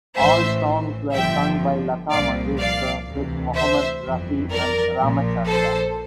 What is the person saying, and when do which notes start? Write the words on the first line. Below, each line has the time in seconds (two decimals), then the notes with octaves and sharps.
All songs were sung by Lata Mangeshkar with Mohammed Rafi and Ramachandra.
0.17 A1 A2 E3 C5 E5
1.14 G1 G2 D3 F3 E5 G5
2.10 C2 A#2 F3 D5 F5
2.59 D5 F5
3.07 D2 C3 E3
3.55 C5 E5
4.04 G1 F2 E3
4.52 A#4 D5
5.00 A#1 A#2 F3
5.48 A4 C5